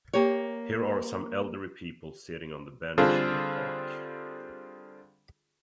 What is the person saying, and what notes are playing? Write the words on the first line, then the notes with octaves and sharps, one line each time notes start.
Here are some elderly people sitting on the bench in the park.
A#3 G4 A#4 C#5
D3 G3 C4 F4 G#4 A4